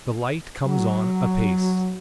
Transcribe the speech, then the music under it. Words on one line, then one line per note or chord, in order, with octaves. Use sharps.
The light comes on apace.
F#3